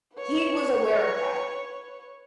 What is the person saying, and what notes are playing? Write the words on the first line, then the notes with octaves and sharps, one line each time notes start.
he was aware of that.
B4 C#5